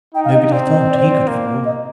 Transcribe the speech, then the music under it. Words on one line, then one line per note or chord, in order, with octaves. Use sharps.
Nobody thought he could fall.
D#4 G5
F5
D#5
C4 D5
D#5
D5
C5
D5
A#3
D#5